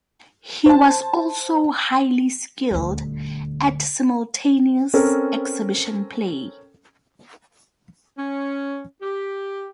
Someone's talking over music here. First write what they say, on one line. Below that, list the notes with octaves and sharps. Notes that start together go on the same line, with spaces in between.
He was also highly skilled at simultaneous exhibition play.
C5 A5
D#1 D2
C4 C#4 A4 A#4
C#4
G4